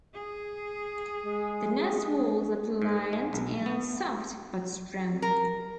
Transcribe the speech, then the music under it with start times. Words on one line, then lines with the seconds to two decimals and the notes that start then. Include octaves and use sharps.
The nest walls are pliant and soft but strong.
0.14 G#4
1.23 G#3
2.82 G#2
3.13 G#3
3.33 B1
3.66 B3
5.22 A#4